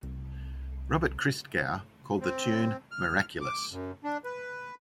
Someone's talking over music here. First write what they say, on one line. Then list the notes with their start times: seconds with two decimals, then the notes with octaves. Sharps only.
Robert Christgau called the tune "miraculous".
0.03 C2
2.21 C4
2.91 F6
3.41 D6
3.71 F#2
4.04 D4
4.25 B4